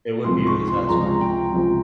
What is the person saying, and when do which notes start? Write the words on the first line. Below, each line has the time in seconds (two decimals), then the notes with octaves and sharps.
it would be really satisfying.
0.24 C#2 C3 F3 G#3 C4 C6
0.47 C#6
0.67 C6
0.89 C#2 C3 F3 G#3 C4 A#5
1.21 G5
1.53 C#2 C3 F3 G#3 C4